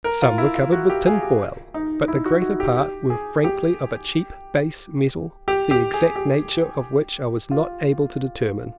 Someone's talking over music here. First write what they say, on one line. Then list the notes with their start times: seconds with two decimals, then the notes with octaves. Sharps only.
Some were covered with tin foil, but the greater part were frankly of a cheap base metal the exact nature of which I was not able to determine.
0.04 A#4
0.22 F4
0.38 E4
0.55 F4
0.72 F#4
0.89 G4
1.07 G#4
1.23 G4
1.74 D#4
2.08 E4
2.26 F#4
2.42 F#4
2.60 G4
2.76 G4
3.10 G#4
3.44 G4
5.48 G4
5.71 G4
5.94 G#4
6.16 G4
7.51 F4